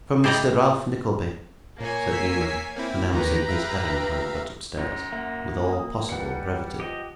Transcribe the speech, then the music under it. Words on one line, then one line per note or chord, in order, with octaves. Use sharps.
'From Mr Ralph Nickleby,' said Newman, announcing his errand, when he got upstairs, with all possible brevity.
C4 E4 D5 D#5 A#5
A#2 A#3 C#5 G#5
E6 B6 C7
A#3 C4 E4
D#2 D#3 A#3 G4 B4 A#5
E5 F5
F#2
A#3 E5 F#5
D#6
G3 B4 F#5 C#7
F3 G4 D#5